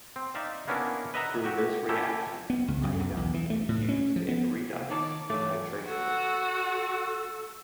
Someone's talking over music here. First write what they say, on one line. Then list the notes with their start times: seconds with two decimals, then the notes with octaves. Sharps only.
Through this reaction, iodine is used in redox titrations.
0.16 C4
0.35 D#4 D5 E5 F5
0.68 A#3 B3 C#4 D4 E4 A#4
1.14 B4 D#5 E5 F#5 A#5
1.44 F#4 G4 E5
1.89 C#4 E4 G4 A4
2.50 B3
2.68 C#2
2.83 F#2
3.00 B1
3.17 E2
3.34 E3
3.50 A3
3.69 A2
3.89 C#4
4.16 F3
4.29 B3
4.73 C2
4.90 D#3 D#4 C#5 A5 D6
5.30 G2 E3 F#3 A3 C#5
5.88 F#4 A4